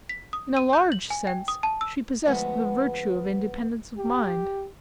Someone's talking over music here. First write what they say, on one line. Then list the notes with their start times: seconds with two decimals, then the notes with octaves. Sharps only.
In a large sense she possessed the virtue of independence of mind.
0.09 B6
0.33 D#6
0.57 D#7
0.73 G6
0.92 F#7
1.10 G#5
1.27 G5
1.48 D#6
1.63 A5
1.81 E6
2.25 D2 F3 G#3 B3 E5 F#5
3.98 G4